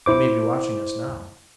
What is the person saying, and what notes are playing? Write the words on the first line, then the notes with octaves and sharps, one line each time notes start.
"He may be watching us now."
E4 C5 D6